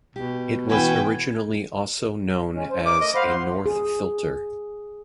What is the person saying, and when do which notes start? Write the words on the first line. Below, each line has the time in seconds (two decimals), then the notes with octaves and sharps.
It was originally also known as a "North filter".
0.16 B2 G4
0.69 E3 C#4 F#4 B4 G5 G#5
2.55 G#3 C#4
2.71 C#3 C5
2.85 A#4 D#5 D6
3.00 A3 D#5
3.15 C5 F5 F#5 B5
3.29 C6
3.66 G#4